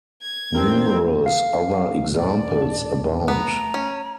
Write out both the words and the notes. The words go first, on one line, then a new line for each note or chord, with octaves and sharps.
Numerous other examples abound.
G#6
A1 C4 D4 G4 A#4
F5
D#1 A2 D5
D4
A3 B3 A#5
C#4